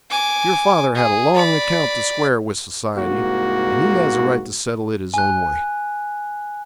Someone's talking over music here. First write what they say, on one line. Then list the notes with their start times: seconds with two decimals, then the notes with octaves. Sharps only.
Your father had a long account to square with society, and he has a right to settle it his own way.
0.10 G#5 D6
0.95 G#4
1.35 D5 B5
2.96 C2 G#2 A#3 F#4
5.14 G#5 F#6